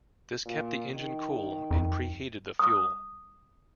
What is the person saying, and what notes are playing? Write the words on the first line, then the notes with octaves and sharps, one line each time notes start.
This kept the engine cool, and preheated the fuel.
A#2
D#3
F2
D#6